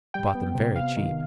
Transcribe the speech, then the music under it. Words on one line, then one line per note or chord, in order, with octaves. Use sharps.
I bought them very cheap.
G3 G5
B3
C3
B3 F5
D#3